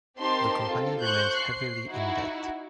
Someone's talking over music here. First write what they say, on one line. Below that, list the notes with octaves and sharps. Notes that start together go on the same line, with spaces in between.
The company remains heavily in debt.
C4 D#4 G4 A#4 A5 C6
C4 F4 A4
C5 C#6 F#6 G6
C7
D#4 E4 F#4